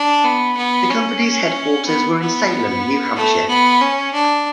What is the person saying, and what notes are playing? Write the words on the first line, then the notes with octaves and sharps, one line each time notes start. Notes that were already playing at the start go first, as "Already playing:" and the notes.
The company's headquarters were in Salem, New Hampshire.
Already playing: D4
B3
B3
C#4
B3
B3
A3
B3
C#4
D4